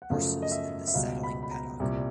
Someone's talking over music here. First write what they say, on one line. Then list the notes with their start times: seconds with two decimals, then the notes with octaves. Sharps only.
Horses in the Saddling Paddock.
0.02 F#5
0.10 F#2 C#3 F3 A3 F5
0.42 D#5
0.52 E5
0.88 E5
0.94 C#2 B2 G3 F5
1.23 B5
1.43 B5
1.51 A#5
1.80 C2 A#2 G3